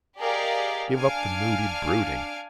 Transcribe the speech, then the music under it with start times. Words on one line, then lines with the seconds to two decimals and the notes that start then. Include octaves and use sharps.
Give up the moody brooding.
0.18 G4 G#4 A#4 D5 D#5 F5
0.95 D4 F5 G#5 F6 D7